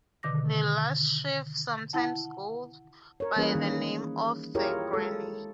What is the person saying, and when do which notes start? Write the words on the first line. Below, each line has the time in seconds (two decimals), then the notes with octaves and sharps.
"The last sheaf sometimes goes by the name of "The Granny"."
0.23 B2 D3 D#3 D6 A#6
1.93 E4 F#5 A5
3.20 A#4 C#5
3.36 E3 G3 A#3 C#4 G#4 B4
3.55 D#3
4.55 E4 F4 G4 G#4 A#4 C#5
4.93 G#3 A4